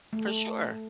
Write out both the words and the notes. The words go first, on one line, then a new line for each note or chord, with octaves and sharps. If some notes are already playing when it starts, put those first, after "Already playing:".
For sure.
A3